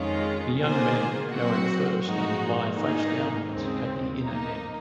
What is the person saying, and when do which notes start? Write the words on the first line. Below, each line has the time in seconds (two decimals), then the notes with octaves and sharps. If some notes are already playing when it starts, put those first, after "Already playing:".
The young men go in first and lie face downwards at the inner end.
Already playing: F2 D#3 G#3 C#4 F4
0.60 D#3 A#3 F4 G#4 C5
1.32 A#2 F#3 C4 F#4 C5
2.03 G#2 F3 G#3 D#4 F#4
2.76 G#2 D#3 A#3 D#4 G#4
3.47 D#2 C#3 G#3 C4
4.19 F3 A#3 D#4